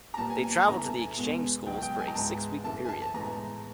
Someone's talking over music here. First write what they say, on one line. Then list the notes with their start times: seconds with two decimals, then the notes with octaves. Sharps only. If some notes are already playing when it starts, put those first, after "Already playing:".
They travel to the exchange schools for a six-week period.
0.14 A#5
0.17 A#2 G3 B3 A5
0.30 G#5
0.43 G#5
0.55 A5
0.67 E2 C#3 E3 A3 A#5
0.83 A5
1.00 G#5
1.17 E2 B2 G#3 B3
1.66 C#2 B2 F#3 G5
1.82 G5
1.99 G#5
2.08 A#5
2.15 G#2 E3 G#3 B3 A5
2.64 F#2 C#3 E3 A3 A5
2.84 G#5
2.89 A5
3.02 A5
3.14 A2 E3 G#3 B3 A#5